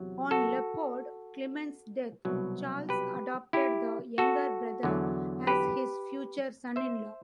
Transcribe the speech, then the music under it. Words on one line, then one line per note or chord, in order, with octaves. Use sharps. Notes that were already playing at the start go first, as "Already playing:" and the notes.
On Leopold Clement's death, Charles adopted the younger brother as his future son-in-law.
Already playing: E2 C3 F#3
F#4 A4
C2 B2 F#3
G4 B4
E4 G4
F#4 A4
E2 D3 F#3
G4 B4
C5 E5